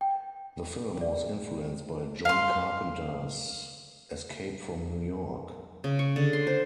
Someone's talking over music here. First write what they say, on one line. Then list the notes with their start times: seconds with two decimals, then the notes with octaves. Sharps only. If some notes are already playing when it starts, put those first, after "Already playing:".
The film was influenced by John Carpenter's "Escape from New York".
0.01 G5
1.01 D5
2.25 F5 C6
5.84 C#3
5.99 C#6
6.16 D3
6.33 C6
6.47 C5